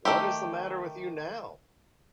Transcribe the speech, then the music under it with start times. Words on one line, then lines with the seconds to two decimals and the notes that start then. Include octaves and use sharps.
What is the matter with you now?
0.05 D#3 F#3 A3 G4